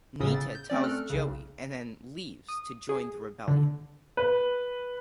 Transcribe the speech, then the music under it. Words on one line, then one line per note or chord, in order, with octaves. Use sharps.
Nita tells Joey and then leaves to join the rebellion.
G1 A2 C#3 C#4 D#6 E6
A6
G6
A3 C4 C#4 D5
A4 F6 F#6
B1 C#3
D#6
G#4
D3
B4